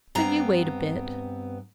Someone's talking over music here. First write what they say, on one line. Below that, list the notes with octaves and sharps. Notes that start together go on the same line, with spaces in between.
But you wait a bit.
G2 B3 C4 A#5